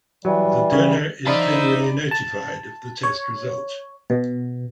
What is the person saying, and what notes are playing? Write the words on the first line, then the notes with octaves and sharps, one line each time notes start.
The donor is generally notified of the test result.
E3 F#3 G3
C#3
D#4 C5 D5 E5 A5 B5
A5
C#5
B2